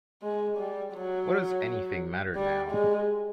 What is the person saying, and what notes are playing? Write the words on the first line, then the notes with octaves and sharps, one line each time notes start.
What does anything matter now?
G#3
G3
F#3
G3
G#3